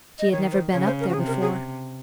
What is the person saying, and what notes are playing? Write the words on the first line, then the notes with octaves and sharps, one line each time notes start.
She had never been up there before.
D#5
D#3 C#5
C5
C#3 C#5
C5
A#4
F#4
C3 G#4
A#4
G#4